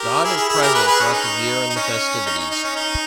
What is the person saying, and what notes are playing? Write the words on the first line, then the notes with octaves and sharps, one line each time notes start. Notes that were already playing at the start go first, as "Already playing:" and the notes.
God is present throughout the year in the festivities.
Already playing: G4 A#4
E4 G#4
E4 G#4
E4 G#4
G4 A#4
G#4 B4
G#4 B4
C#4
D#4
D#4
C#4
D#4
D#4
D#4
C#4
D#4